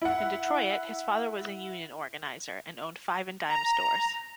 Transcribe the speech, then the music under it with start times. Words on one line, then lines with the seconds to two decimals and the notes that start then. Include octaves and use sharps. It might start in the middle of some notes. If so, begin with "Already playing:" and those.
In Detroit, his father was a union organizer, and owned five-and-dime stores.
0.02 E4 F#5
3.49 A#5